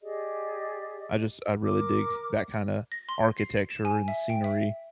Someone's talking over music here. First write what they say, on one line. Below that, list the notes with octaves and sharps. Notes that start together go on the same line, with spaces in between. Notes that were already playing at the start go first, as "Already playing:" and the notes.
I just I really dig that kinda architecture and scenery,
G4 G#4 D5 D#5
A#4 D6
A#6
C6
C7
E7
G#5
E5
G5
E5